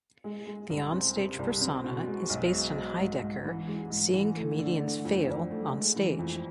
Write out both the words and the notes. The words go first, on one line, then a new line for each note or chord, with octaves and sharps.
The onstage persona is based on Heidecker seeing comedians fail onstage.
G#3
G#3
C2
C4
C3
C2
C4
B2
G#3
B1
G#3
G#3
G#2
G#2
E3
G#3
G#2
E3
A3
D3
A3
F2
F2
A3
G#3
E3
F2